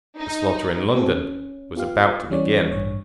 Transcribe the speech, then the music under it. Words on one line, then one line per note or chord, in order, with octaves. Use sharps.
The slaughter in London was about to begin.
D#4
A#3 C4 F#4 G#4 A4
C#4
B3 F4 G4 F5
E3 G3 C#4 C#5 D5
A1 G2 C#5